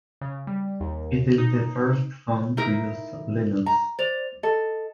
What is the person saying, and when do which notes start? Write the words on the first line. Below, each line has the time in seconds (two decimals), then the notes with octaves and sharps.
It is the first phone to use Linux.
0.21 C#3
0.47 G3
0.80 D#2
1.38 D#4
2.57 D#4 E4 A#4
3.66 A#5
3.99 C5 D5 F7
4.43 A4 D#5